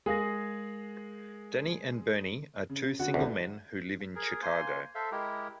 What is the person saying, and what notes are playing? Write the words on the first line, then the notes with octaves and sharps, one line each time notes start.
Danny and Bernie are two single men who live in Chicago.
G#3 G#4 A#4 F5 A#6
C#3
D3 F#4 F#5
G#1 D2 B3 F#4
G#4 A#4
A#3 C5 G#5 C6
A4 C5 E5 F5
G#3 E4 G4 A#4